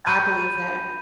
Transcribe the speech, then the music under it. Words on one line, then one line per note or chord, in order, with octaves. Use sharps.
I believe that.
B5 G6 D#7